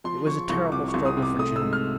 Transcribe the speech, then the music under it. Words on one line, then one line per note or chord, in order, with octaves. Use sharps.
It was a terrible struggle for June.
F3 C6
F3 C#6
C2 C#6
C3 D6
C#6
C2
D#6
C3
D6
A3 D#6
E6
G#2
F6